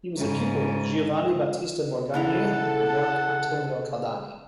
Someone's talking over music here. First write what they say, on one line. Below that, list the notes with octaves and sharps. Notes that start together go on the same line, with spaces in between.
He was a pupil of Giovanni Battista Morgagni and Marc Antonio Caldani.
G#2 C#3
C#3 E4 A4 F#5 A#5